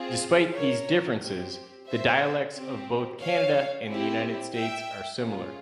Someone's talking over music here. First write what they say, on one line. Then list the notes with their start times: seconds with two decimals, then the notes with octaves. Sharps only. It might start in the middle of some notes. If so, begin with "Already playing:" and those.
Despite these differences, the dialects of both Canada and the United States are similar.
Already playing: C4 F4 G#4
0.54 A#4 C#5
1.21 C4 G4
1.88 C5 E5
2.54 C4 G4
3.21 C#5 F5
3.88 C4 E4 G4
4.55 E5 G5
5.21 C#4 F4 G#4